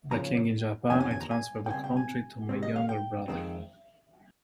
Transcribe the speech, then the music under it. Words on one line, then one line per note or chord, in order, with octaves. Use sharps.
The king in Japan I transfer the country to my younger brother.
C#3 F3 A#3 C#4 A#5
F2 D#3 A#3 C#4 G#5
G#5
G#5
A#5
G#5
G5
C#3 G3 C4 G#5
G5
G#5
C3 D#3 G#3 C4
D#5
F5
G5
F2 D#3 G#3 C4